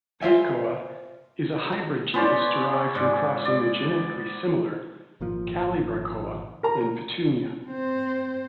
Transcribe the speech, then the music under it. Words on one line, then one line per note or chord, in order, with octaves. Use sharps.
"Petchoa" is a hybrid genus derived from crossing the genetically similar Calibrachoa and Petunia.
F4 C5 E5 G#5
B3 C#4 C5 D5
G#2 D5
D5
G#1 A#2 F3
A#4 A#5
C4 C5